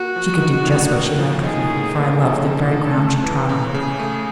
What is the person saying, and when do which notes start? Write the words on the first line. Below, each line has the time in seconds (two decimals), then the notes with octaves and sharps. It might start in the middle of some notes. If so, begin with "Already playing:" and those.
She could do just what she liked with me, for I loved the very ground she trod on.
Already playing: A#3 F#4
0.16 F3
0.41 D#4
0.67 A2
0.93 A#3
1.18 F3
1.44 D#4 G#4
1.70 A2
1.96 A#3
2.21 F3 A4
2.46 D#4
2.72 A2
2.97 A3
3.24 E3
3.49 C#3
3.74 C#3 G#4
3.99 A3